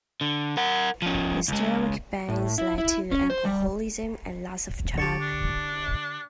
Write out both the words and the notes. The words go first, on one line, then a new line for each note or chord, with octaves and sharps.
His stomach pains led to alcoholism and loss of job.
D3
A#4 F#5
F3 C#4
C#2 G#3
A2
E4
E4
C#4
C5
G3
D3 G4 A5 C#6
D4